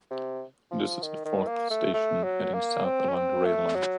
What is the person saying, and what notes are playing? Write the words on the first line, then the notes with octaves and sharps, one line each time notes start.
This is the fourth station heading south along the rail line.
C3
F3
D#3
D#3
A#3
A3
A3
F#3
A#3
C4
C#4
C4
A3
F#3